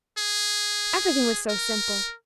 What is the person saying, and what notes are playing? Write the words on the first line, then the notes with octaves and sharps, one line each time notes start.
Everything was so simple.
G#4
A#4